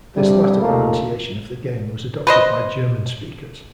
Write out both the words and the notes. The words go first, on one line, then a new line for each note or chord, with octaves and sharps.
This latter pronunciation of the game was adopted by German speakers.
G2 C3 G3
D#2 A#2 A3 A#3 F4
B4 C5 D#5